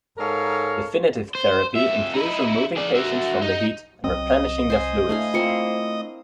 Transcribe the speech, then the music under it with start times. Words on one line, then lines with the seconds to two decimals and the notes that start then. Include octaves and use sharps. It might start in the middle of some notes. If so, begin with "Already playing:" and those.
Definitive therapy includes removing patients from the heat and replenishing their fluids.
0.18 G#2 A4 A#4 C#5 F5
1.35 C5
1.76 F2 E5
2.14 D#4 E4
2.77 G#4 D5
2.95 F#4 E5
3.42 D#4
4.04 C2 F#3 C4 D#5
4.70 C5 G#5
5.09 A3 D4 E4 F5 G#5
5.34 A#3 C4 F4 C#7